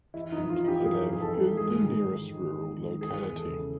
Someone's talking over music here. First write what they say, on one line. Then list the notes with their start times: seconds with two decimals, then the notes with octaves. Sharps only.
Kiselev is the nearest rural locality.
0.14 E3 E4
0.32 D#4
0.38 F2
0.50 F4
0.62 E3
0.68 G4
0.85 F2 G#4
1.10 F2 G#4
1.22 A4
1.34 E3
1.57 G#2 G#4
1.81 D#3
2.06 D#3
2.29 D#3
2.52 D#3
2.77 D#3
3.01 E3 G#4
3.24 E2
3.37 A4
3.49 C#3